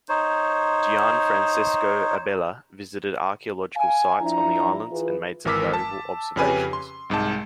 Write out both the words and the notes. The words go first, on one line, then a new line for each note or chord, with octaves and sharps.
Gian Francesco Abela visited archaeological sites on the islands and made some valuable observations.
D#4 C5 C#5
F5 G#5
F3 D4 E4 E5 A#5
E3 F4 G#4 B4
G#1 E3 A#4 D6 E6 B6
A5
F2 C#3 C#4 G4 B4 G#5
C6
C2 G#2 G#3 A5